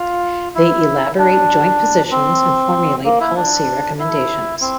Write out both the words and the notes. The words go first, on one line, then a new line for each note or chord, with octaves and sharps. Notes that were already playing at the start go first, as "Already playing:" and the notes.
They elaborate joint positions and formulate policy recommendations.
Already playing: F4
E4
D4
C4
A#3
E4
D4
E4
C4